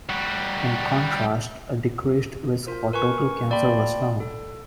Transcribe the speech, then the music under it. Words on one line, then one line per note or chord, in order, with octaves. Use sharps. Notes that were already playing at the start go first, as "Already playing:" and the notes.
In contrast, a decreased risk for total cancer was found.
G3 F#4
F4 A#4 C5
A#4 B4 G#5 C#6
A#3 D5 G5 A5 B5 C6
A4